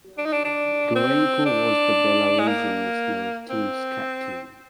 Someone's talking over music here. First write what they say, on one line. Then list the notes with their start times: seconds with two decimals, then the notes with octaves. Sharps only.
Gurenko was the Belarusian national team's captain.
0.18 D4
0.25 D#4
0.33 D4
0.44 D4
0.95 C4
1.46 D4
2.39 G#3
2.48 A#3
3.50 C4